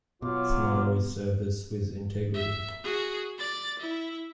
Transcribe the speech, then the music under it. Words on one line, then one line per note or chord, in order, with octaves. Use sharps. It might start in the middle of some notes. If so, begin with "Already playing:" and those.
Its motto is "Service With Integrity".
B2 F#3 F4 D6
E5
F#4 G#4
D5 A6
E4